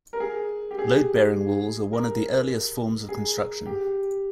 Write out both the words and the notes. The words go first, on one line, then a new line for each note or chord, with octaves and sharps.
Load-bearing walls are one of the earliest forms of construction.
A#4
G#4
G4
G#4
A#4
G#4
G4